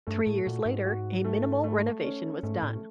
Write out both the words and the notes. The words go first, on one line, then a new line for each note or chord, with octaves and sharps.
Three years later, a minimal renovation was done.
G2 A3
A2
A#2 F#4
G#2
F#4
A3
A3
C#4
G#2 A3
A2